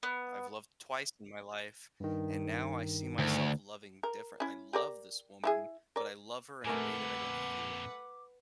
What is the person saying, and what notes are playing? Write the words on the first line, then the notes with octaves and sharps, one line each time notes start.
I've loved twice in my life, and now I see myself loving different I love this woman, but I love her in a way that I don't feel it.
B3
G2 D#3
D2
A#4
C#4 E4
G4 A#4 D5
F3 E4 G#4
A#4 D5
F2 A#2 A3 A#4 B4 F#5 G#5 D6